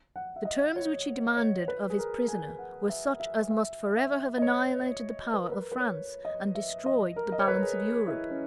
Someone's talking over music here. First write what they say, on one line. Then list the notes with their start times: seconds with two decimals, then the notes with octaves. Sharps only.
The terms which he demanded of his prisoner were such as must forever have annihilated the power of France, and destroyed the balance of Europe.
0.16 F#5
0.36 E5
0.45 D#5
0.76 C#5
1.37 C#5
1.68 B4
1.90 G#4
1.99 A#4
2.28 G#5
2.59 F#5
2.89 E5
3.20 E5
3.51 E5
3.97 E5
4.38 D#5
4.42 C#5
5.34 B4
5.43 A#4
5.52 B4
5.72 B4
5.80 C#5
6.25 D#5
6.55 E5
6.86 D#5
7.16 A#4
7.32 D#5
7.39 C#5
7.48 B4
7.55 A#4
7.62 G#4
8.08 E4
8.30 C#4